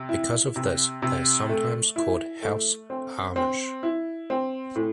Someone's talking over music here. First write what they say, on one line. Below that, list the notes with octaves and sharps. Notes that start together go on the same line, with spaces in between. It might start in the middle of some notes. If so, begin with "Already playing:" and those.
Because of this, they are sometimes called "House Amish".
Already playing: C3
E4
C3
C3
A3
E4
A3
C4
C4
E4
C4
A2